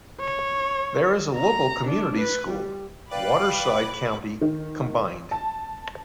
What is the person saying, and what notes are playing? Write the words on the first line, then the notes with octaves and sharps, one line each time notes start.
There is a local community school, Waterside County Combined.
C#5
A#5
D4
B4
G3
B4 D5 F5 G5 B5 D6 F#6
D#3
A5